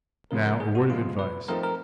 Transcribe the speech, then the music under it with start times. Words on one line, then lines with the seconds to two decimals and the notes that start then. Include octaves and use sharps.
"Now, a word of advice."
0.31 C#3 F3 G#3 A#4
0.46 A#4
0.60 G#4
0.75 F#4
0.89 C#3 F3 G#3 F4
1.19 B4
1.48 F3 A3 C4 D#4 A#4
1.64 A#4